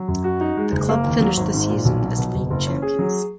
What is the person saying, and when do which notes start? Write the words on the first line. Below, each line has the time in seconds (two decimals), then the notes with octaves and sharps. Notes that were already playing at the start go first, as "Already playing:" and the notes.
The club finished the season as league champions.
Already playing: F#3
0.08 F#2
0.24 F#4
0.41 D#4
0.57 G#3
0.72 F#1
0.89 A#3
1.04 D#2
1.20 F#3
1.37 G#1
1.54 G#2
1.69 A#2
1.85 B1
2.02 F#3
2.18 B2
2.34 F#1
2.50 F#1
2.67 C#4
2.82 G#4
2.99 F#3